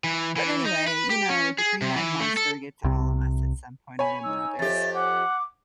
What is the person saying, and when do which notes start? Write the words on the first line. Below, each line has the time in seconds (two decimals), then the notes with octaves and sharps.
But, anyway, you know, the green-eyed monster gets all of us at some point or another, so.
0.04 E3
0.36 E3
0.65 D#4
0.88 B4
1.10 G4
1.30 C#4
1.58 G#4
1.82 C3
1.96 E3
2.20 A3
2.37 A4
2.84 C2 C3
3.99 C#5 G#5 B5
4.23 D#4 E6
4.59 F2 G4 E5 A6
4.94 F#5 D6